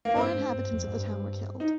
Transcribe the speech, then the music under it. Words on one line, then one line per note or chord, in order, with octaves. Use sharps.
Four inhabitants of the town were killed.
A#3
G2 C4
G#2
G2
F2
G#2
G2
D#4